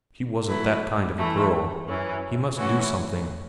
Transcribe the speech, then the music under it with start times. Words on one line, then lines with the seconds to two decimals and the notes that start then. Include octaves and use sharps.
She wasn't that kind of a girl. He must do something.
0.47 F#3 A3 E4 B4
1.18 E3 A3 E4
1.88 F#2 E3 C#4
2.58 A2 E3 C#4 F#4